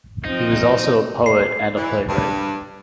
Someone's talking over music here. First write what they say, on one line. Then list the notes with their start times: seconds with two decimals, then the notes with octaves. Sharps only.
He was also a poet and a playwright.
0.25 F3 C4 D#4
1.26 C7
1.75 E3
2.07 G2